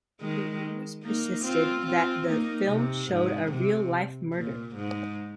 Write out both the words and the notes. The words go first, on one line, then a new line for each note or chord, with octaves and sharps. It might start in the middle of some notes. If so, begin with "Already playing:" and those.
The rumours persisted that the film showed a real-life murder.
D#3 G#3
A#3 D#4
C4 F4
C4 F4
A#3 D#4
C3
G#2
C3
A#2
G#2